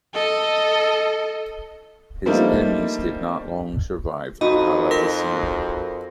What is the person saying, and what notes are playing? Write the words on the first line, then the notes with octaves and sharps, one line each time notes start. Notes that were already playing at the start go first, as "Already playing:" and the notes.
His enemies did not long survive Pallavicino.
A4 D#5
F3 G3 A3 A#3 D4 D#4
F2 D#4 F#4 D#5 B5
A#4 C6 A#6